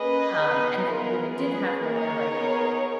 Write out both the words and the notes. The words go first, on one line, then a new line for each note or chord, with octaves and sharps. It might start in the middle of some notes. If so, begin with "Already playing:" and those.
Um, and that women did have more, like,
Already playing: A#3 C#4 G#4 B4 D#5
B3 D#4 G#4
B3 F4 G#4 A#4
C#4 G#4 B4
A#3 D#4 G#4 A#4 C#5
B3 D#4 G#4